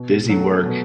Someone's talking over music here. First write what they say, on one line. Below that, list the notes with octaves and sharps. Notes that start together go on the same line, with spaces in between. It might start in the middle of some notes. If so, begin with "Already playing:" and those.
busy work
Already playing: B2
F#3 A3
B2